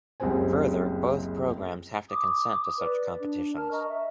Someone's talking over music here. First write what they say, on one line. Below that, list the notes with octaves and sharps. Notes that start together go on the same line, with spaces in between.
Further, both programs have to consent to such competitions.
F#1 C#2 G3 C4 C5 G#5
D6 D#6
B4 D5
D4
A#4 A5 F6
D#5 A#5 C#6
E5